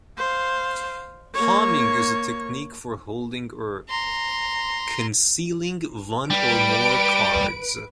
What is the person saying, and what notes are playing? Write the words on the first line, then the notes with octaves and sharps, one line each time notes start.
Palming is a technique for holding or concealing one or more cards.
C5 F5
A#3 C#5
A#5 C6
G3 B4 D7